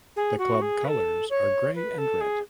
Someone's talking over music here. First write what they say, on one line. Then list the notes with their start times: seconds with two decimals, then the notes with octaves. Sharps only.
The club colours are grey and red.
0.16 G#4
0.38 F#4
0.62 G#4
0.84 B4
0.88 A4
1.30 C#5
1.75 B4
1.98 A4
2.21 G#4